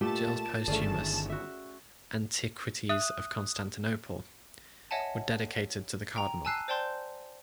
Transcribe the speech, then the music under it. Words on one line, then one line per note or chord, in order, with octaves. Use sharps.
Gilles' posthumous "Antiquities of Constantinople" were dedicated to the Cardinal.
A#2 A3 G4 A4 A5 E7
G1 D#3 A3 C#4 G#4 D5
F#4 E5
E5 D#6 F#6
C#5 D#5 E5 F#5 G#5 A5
G5 A#5
G#5 A5 E6 F#6 C7 D#7
C5 D5 G5 A5 C6 G6